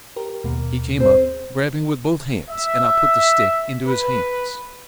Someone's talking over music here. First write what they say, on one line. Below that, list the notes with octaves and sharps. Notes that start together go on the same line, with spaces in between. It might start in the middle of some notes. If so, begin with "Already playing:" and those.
He came up, grabbing with both hands, and I put the stick into his hands.
G4 A#4
D#2 B2 A#3
C4 G#4 C5
E5
B4